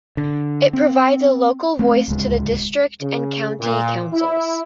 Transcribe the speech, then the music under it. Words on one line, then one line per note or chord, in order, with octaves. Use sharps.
It provides a local voice to the district and county councils.
D3
C4
A3 C4
D1 C#2 G#3
C#3
A#2
E4